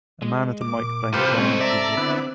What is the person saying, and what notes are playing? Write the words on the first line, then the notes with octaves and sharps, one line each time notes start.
A man at a mic playing a piano and keyboard.
G#3
A#2 D6
C3 F4 G4 A4 B4 C5
G#3 C4 C#4
A4 D5 E5 A#5
D3 B3 E4